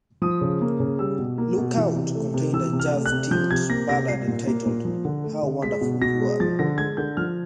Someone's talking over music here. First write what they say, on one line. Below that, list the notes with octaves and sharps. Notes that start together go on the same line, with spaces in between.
"Look Out" contained a jazz-tinged ballad entitled "How Wonderful You Are".
F3 D#6
C#3
A#3
C#3
G3 E6
B2
A#3
B2
E3
C3
A3
C3
E3 E6
C3
F6
A3
F#6
C3
F3 G6
C3 G#6
A#3 A#6
C3 A#6
G3 C7
A#2
A#3
A#2
F3
D3
A3
D3
G#3 B6
B2
B2 A#6
G#3
F3 A6
D3 A#6
G#3 G#6
D3 G6
F3 F6